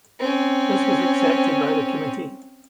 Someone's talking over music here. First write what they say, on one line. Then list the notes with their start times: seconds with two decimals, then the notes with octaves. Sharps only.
This was accepted by the committee.
0.20 C4 C#4